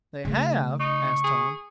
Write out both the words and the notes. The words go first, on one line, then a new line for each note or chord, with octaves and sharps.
"They have?" asked Tom.
C#3 A3
D#4 C#6
G#4